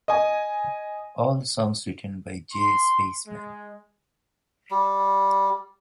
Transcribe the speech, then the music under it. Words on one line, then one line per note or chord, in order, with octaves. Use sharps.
All songs written by J Spaceman.
D#5 G#5
C6
G#3
G3